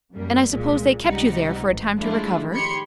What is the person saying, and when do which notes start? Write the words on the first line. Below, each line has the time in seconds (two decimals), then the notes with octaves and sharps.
"And I suppose they kept you there for a time to recover?"
0.13 F#2 G3 A#3
0.50 C2 A#2 G#3
1.00 C#2 C3 G3 D#4 F#5
1.63 A1 G#2 E3
1.97 F3 G#3 A3 D4 E4 F4
2.54 D#3 G4 C#5 B5 C6 C#7